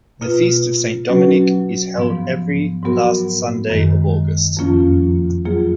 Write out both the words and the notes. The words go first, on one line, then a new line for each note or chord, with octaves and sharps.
The feast of Saint Dominic is held every last Sunday of August.
B2 A#3 F4 B4
F#3 C#4 F#4 B4
G#2 F3 B3
G#2 F#3 B3 F#4 A#4
F#2 D#3 G#3
F2 F3 A#3 C#4 F4
F#3 A#3 F4 G#4